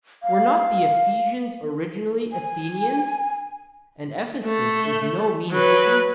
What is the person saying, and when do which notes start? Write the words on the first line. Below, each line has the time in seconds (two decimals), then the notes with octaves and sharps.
Were not the Ephesians originally Athenians, and Ephesus is no mean city?
0.23 F5
2.33 G#5
4.45 A3
5.50 F#3 B4